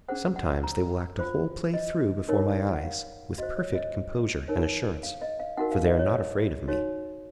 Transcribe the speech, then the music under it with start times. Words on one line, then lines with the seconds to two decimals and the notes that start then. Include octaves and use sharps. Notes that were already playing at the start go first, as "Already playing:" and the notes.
Sometimes they will act a whole play through before my eyes, with perfect composure and assurance, for they are not afraid of me.
0.08 C#4 G#4 C5 F#5
0.36 F#5
0.64 A#5
1.19 F4 C5
1.74 D#5
2.29 D#4 A#4 C#5
2.74 F#5
2.83 F5
3.38 F#4 C5 D#5
3.57 C#5
3.75 D#5
4.48 D#4 A#4 C#5
5.03 F5
5.22 D#5
5.39 F5
5.57 D#4 F#4 A#4 F#5
5.72 F5
5.86 D#5
5.99 C#5
6.68 D#4 F#4 C#5